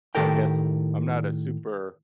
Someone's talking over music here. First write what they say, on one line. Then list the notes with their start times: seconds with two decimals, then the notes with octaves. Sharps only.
I guess, I'm not a super,
0.15 A2 D#3 G4 A4 A#4 G5